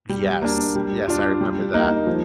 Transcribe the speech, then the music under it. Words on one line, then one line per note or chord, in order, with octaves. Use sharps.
Yes. Yes, I remember that.
G3
A#3 D4
G3
D4 F4
G3
A#3 D#4
F3